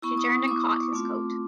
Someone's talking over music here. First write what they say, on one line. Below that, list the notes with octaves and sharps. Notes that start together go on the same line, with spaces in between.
She turned and caught his coat.
B3 E4 C#6
D#6
D#6
B3 E4 D6
A3 C4 F4